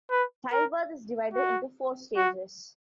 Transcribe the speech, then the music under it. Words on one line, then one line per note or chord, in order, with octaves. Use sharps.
Childbirth is divided into four stages.
B4
A#4
F#4
F#4